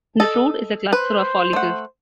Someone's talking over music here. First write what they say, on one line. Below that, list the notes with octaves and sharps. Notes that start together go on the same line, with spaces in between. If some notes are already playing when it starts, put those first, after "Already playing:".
The fruit is a cluster of follicles.
A4 D#5
B4 C5
A3 F#5